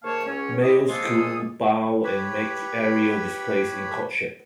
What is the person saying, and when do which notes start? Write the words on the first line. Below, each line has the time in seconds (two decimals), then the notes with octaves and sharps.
Males coo, bow and make aerial displays in courtship.
0.03 G#2 D#3 A#3 C#5 F5 A5
0.26 C#2 C#4 C#5
0.62 E4 G4 G#4 D#5
0.88 F3 G#3 A#3 A4 C6 D#6
2.04 G4 B4 C#5 B5